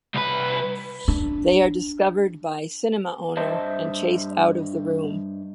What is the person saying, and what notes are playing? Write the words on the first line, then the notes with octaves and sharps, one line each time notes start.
They are discovered by the cinema owner and chased out of the room.
C2 B4
D4
G2 C5 D#5 E5 A5